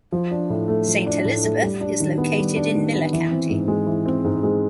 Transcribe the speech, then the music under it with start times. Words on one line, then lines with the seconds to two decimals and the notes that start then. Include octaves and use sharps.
Saint Elizabeth is located in Miller County.
0.12 F3
0.31 D4
0.50 A2
0.68 A3
0.87 F3
1.06 D4
1.25 A2
1.43 A3
1.62 G3
1.81 D4
2.00 D#3
2.18 B3
2.38 G3
2.56 D4
2.75 D#3
2.93 B3
3.13 E3
3.31 C4
3.50 G#2
3.68 G#3
3.86 E3
4.06 C4
4.25 G#2
4.43 G#3